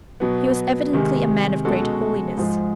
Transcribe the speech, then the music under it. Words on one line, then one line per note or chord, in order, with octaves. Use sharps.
He was evidently a man of great holiness.
B2 F#3 B3
C3 D#3 G#3
B2 G#3 C#4 F#4 A4
G#2 F3 G#3